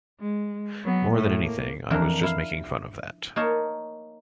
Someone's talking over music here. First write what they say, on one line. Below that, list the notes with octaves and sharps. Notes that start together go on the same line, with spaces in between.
More than anything, I was just making fun of that.
G#3
F#3 B3
A2 A3
A#3
F2 E3 D4 A#4
E4 F5
A#3 D#4 A#4 C#5 A5